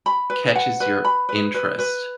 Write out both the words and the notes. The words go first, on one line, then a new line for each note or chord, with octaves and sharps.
catches your interest,
B5
B4
F#5
B4
B5
B4
B4
B4